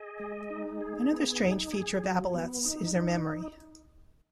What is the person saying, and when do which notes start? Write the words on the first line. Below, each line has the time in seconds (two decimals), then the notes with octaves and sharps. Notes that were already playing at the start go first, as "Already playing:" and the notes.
Another strange feature of aboleths is their memory.
Already playing: G#4 D#5
0.20 G#3
0.50 D#4
0.81 G#4
1.12 B3
1.42 D#4
1.73 G#4
2.03 F#3
2.34 B3
2.65 D#4
2.95 D#4